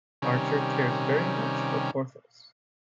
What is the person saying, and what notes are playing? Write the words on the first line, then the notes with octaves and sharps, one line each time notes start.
Archer cares very much for Porthos.
C3 D#3 G3 C#4